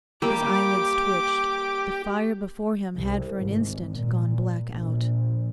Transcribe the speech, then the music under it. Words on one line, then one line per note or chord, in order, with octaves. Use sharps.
His eyelids twitched; the fire before him had for an instant gone black out.
G3 A#3 G4 D6
C2
G#1
A#2
A#1